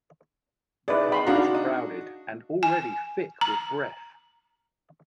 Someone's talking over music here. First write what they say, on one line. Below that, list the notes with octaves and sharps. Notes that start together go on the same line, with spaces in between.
The car was crowded and already thick with breath.
D#4 E4 G#4 B4 D5
G#4 B5 C6
D4 D#4 F#4 F5 A#5
D#5
G#5
A#5